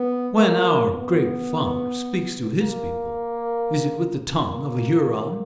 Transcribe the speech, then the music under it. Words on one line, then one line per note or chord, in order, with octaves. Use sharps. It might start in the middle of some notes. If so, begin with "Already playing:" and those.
"When our Great Father speaks to his people, is it with the tongue of a Huron?"
Already playing: B3
A#3
B3
A#3
A#3